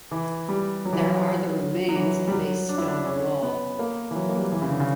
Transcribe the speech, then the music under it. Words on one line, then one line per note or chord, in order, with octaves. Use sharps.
There are the remains of a stone wall.
E3
G3
F#3
E3
F#3
F#3
E3
G3
F#3
D4
E4
D4
C#4
C#4
B3
A#3
E3
F#3
A#3
G3
F#3
E3
C#3
D3
C#3